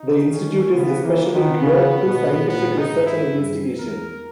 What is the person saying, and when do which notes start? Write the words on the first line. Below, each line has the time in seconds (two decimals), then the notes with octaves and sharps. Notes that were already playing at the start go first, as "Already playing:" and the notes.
The Institute is especially geared to scientific research and investigation.
Already playing: D#4
0.31 D#3 C#4
0.75 C#3 B3
1.03 E3 A#3
1.33 D#3 B3
1.62 C#3
2.05 B2
2.48 A#2 B3
2.78 D#4
2.92 G#2
3.06 E4
3.36 G2
3.79 E2 A#4